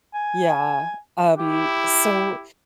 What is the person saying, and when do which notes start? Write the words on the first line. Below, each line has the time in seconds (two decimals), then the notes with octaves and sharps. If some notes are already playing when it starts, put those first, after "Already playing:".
Yeah. Um, so,
0.14 G#5
1.38 E4 G4